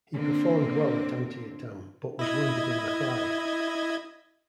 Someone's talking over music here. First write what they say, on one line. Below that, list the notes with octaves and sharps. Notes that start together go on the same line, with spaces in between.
He performed well at Antietam, but was wounded in the thigh.
D3 A#3 C4
E4 D#5 G#6